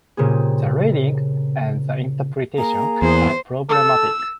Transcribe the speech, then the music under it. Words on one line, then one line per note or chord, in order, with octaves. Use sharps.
The reading and the interpretation are problematic.
A#2 C#3 A#3 C4 G4 G#4
A#3 G#4 A#5
E2 C5
A4 E6